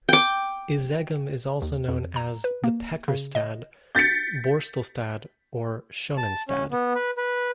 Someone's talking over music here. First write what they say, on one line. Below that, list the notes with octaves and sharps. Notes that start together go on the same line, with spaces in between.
Izegem is also known as the "pekkerstad", "borstelstad" or "schoenenstad".
G5 D6
D#2
F2
A#5
B4
A#3
C#3
D#5
G6 A6 B6 C#7
A5
C#4
B3
B4
B4